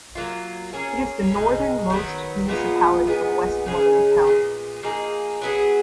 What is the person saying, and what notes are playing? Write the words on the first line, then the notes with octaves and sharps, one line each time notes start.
It is the northern most municipality of Westmoreland County.
F#3 A#3 F4
A#3 C#4 G#4 C#5
B2 G#3 D#4
D#3 F#3 B3
A#2 G#3 B3 F4
A#2 G#3 B3
C#3 G#3 C#4 G#4
A#2 G#3 B3
F3 A#3 D#4 G#4
F#3 B3 D#4 G#4